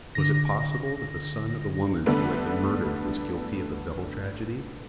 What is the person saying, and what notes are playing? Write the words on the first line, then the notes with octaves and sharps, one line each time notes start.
Was it possible that the son of the woman who had been murdered was guilty of the double tragedy?
D3 A#6
D3 G3 A3 B3